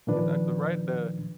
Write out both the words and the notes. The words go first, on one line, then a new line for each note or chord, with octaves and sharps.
It's at the right the
A#2 D#3 F3 D4 B4